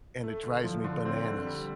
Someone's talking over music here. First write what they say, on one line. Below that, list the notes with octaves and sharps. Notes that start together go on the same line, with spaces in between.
and it drives me bananas.
A3
D3
F3
D3
C4
D3
G3